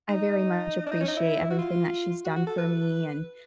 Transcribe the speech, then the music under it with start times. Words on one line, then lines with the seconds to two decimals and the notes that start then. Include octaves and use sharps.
I very much appreciate everything that she's done for me and,
0.09 D#4
0.86 D4
0.91 D#4
1.01 C#4
1.08 D#4
1.17 E4
1.50 F#4
1.59 F4
2.25 F#4
2.36 F#4
2.47 A4
2.58 B4